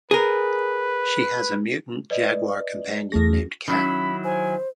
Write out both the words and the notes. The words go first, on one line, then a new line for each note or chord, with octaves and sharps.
She has a mutant jaguar companion named Cat.
G#4 A#4 B4
B4 D5 D#5
E2 A3 G#4 A#6
D#3 F#3 C#4 E4 B5
C5 G#5